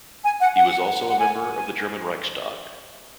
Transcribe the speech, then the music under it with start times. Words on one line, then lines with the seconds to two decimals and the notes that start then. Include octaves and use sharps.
He was also member of the German Reichstag.
0.24 G#5
0.40 F#5
0.55 F#5
1.07 F#5
1.19 G#5
1.50 G#5